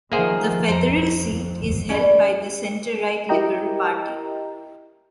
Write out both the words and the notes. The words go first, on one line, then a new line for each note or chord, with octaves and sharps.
The federal seat is held by the centre-right Liberal Party.
D#3 F3 A#3 G#4 A#4 C5 E5 F#5
F2 C5 A#5
C#4 E4 D5
E4 G4 A#4 D#5 G5 A#5